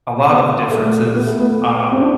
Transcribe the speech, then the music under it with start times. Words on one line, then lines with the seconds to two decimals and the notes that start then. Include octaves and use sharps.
a lot of differences, um,
0.29 B3
0.71 A3
1.15 B3
1.27 A3
1.40 B3
1.92 C4
2.00 D4